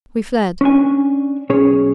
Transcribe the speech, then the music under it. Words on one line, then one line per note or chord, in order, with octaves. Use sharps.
We fled.
C#4 D4 G#5
B1 C#4 G#4 C#5